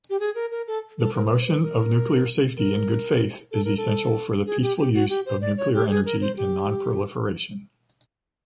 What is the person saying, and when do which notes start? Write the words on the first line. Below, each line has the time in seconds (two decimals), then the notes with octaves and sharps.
The promotion of nuclear safety in good faith is essential for the peaceful use of nuclear energy and non-proliferation.
0.10 G4
0.20 G#4
0.35 A#4
0.51 A#4
0.67 A4
0.99 A4
1.14 A#4
1.25 C5
1.30 B4
1.41 C5
1.47 B4
1.62 A#4
2.57 A#4
3.51 A4
3.65 A#4
3.77 A4
4.46 G#4
4.62 G4
4.78 G4
4.94 F#4
5.09 G4
5.26 C5
5.41 D5
5.58 C#5
5.74 G4
5.90 G#4
6.05 A#4
6.21 C5
6.37 G4